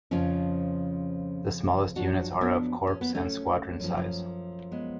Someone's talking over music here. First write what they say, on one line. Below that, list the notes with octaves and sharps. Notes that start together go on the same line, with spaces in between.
The smallest units are of corps and squadron size.
F2 C#3 F3 C#4 F4
F#2 F3 D4 F#4
B3 D4
C#4
B3
A3 C#4
F#2 F3
G#3 B3